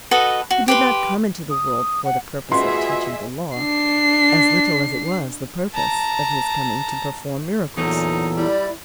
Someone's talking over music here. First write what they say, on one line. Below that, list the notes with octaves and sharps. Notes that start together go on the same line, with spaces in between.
He did not come into the world for the purpose of teaching the Law, as little as it was the purpose of His coming to perform miracles.
F#4 A4 B4 D#5
F#4
G4 B4 C6
D#6
F#5
F4 F#4 G#4 B4 D#5 E5 C6
D4 C7
A5 A#5
E2 A#2 F#3 D#4 A4
G3 E4 D5